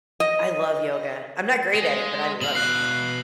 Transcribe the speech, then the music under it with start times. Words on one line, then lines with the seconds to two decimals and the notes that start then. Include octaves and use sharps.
I love yoga. I'm not great at it, but I love it.
0.20 D#5
1.75 G#3
2.41 B2 F5 F#7
2.55 F#6 C7